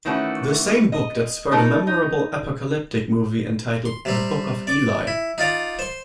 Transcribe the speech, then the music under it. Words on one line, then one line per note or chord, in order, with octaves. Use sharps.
The same book that spurred a memorable apocalyptic movie entitled, "The Book of Eli".
D#3 E3 A3 C#4 F#4
D#5
A3 D#4 A4 A#4
D#4
C6
C3 G3 C4
D5 D6
E4
D#4 F4 D5 A#5
C5 C6